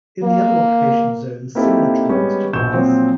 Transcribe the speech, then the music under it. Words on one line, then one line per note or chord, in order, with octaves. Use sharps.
In the other occupation zones similar trials took place.
A#3
A#3 C4 D#4 E4 G4 A4
G3 G#3 B3 C#4
A#1 B2 C#6 G6 E7
A#2 F3 F#3 C4